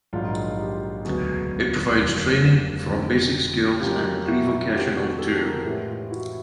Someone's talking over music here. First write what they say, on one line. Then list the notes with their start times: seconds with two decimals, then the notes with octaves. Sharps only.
It provides training, from basic skills and prevocational to.
0.13 A#1 G#2 D#3 F#3 D#4 F4
0.58 F4 G4
1.04 E1 D2 C#3 F#3 B3 F#4 G#4
1.96 F1 D#2 D3 F#3
2.88 F2 D3 G3
3.80 F2 C#3 F#3 A#3 C#4 F4 G4
4.27 E4 F#4
4.72 F2 C3 D#3 F4 G4
4.96 F#4 G#4
5.19 G4 A4
5.33 A4
5.42 G#4 A#4
5.65 A2 E3 G#3 C#4 G4 A4
5.88 F4 G4
6.11 E4 F#4